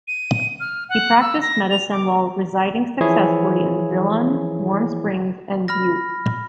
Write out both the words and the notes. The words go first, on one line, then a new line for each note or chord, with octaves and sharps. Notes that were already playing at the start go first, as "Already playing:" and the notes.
He practiced medicine while residing successively in Dillon, Warm Springs, and Butte.
D#7
F6
F#5
E6
A#6
F7
D6
E3 F3 E4 G#4 C#5
B5 F6 A#6